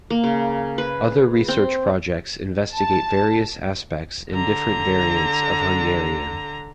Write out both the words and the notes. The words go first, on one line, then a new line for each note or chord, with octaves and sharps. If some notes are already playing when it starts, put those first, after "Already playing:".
Other research projects investigate various aspects and different variants of Hungarian.
A#3
C#3
B4
C4
A5
D3 A#5